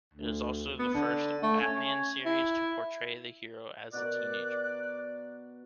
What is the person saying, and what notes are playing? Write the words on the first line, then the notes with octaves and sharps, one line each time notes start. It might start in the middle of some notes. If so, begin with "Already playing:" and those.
It is also the first "Batman" series to portray the hero as a teenager.
D2
B3
D3
A3
C#4
E4
B2 F#4 A#4 D5 F#6